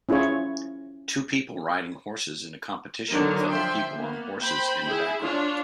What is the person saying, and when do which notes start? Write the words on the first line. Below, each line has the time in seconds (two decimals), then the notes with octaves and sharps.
Two people riding horses in a competition with other people on horses in the background.
0.09 C#4 E4 F4 G#4 C#5
3.08 D3 D#3 F#3 A#4
3.49 F3 E5 G5 C6
3.94 A#3 B3
4.40 C5 G5 B5
4.88 E4 G#4
5.22 D4 F4 C#5